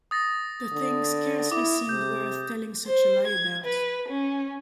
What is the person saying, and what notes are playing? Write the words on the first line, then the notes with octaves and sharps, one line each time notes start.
The thing scarcely seemed worth telling such a lie about.
D#6 A6 A#6
D3
E4 D6
C3 G6
C5
G#6
B4
C#4